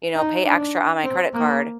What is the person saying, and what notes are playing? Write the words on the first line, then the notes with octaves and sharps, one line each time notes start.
you know, pay extra on my credit card
D#4
D4
C4
A#3